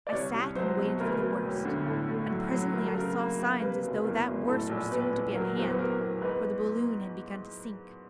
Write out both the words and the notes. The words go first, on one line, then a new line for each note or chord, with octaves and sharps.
I sat and waited for the worst, and presently I saw signs as though that worst were soon to be at hand, for the balloon had begun to sink.
D5
C2 C#5
C2
F#3 C5
B2
D2 A#4
B4
D2 A#4
E1
D3
A2 A4
A3
F#3
F#3
D2 A#4
A4
C#3 A#4
A#3
A#3
C3 B4
F#1
E2 A#4
F#1
A2 A4
A#1
A#1 B4
A#1
F#3 A#4
E2 C5
B4
E2 A#4
E2
G#2 B4